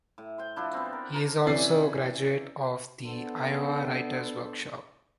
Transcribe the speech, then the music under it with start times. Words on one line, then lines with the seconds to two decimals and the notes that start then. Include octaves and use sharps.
He is also a graduate of the Iowa Writers' Workshop.
0.18 A2
0.38 C5 G5
0.56 F3 D4 E4
0.73 B3 C4
0.93 A#4
1.14 A#4 C5 A5 A#5
1.46 C3 E3 C#4 D5 C7
3.03 B3 D4 A4 C5